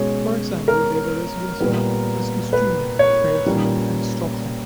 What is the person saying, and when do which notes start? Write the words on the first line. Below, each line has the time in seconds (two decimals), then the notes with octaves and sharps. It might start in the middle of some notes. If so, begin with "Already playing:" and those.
For example, they were residents of Eskilstuna, Fairfield and Stockholm.
Already playing: B2 G#3 C#4 C#5
0.68 A#4
1.60 A#2 G3 B3
2.53 B4
2.99 C#5
3.46 A#2 G3 A#3 C#4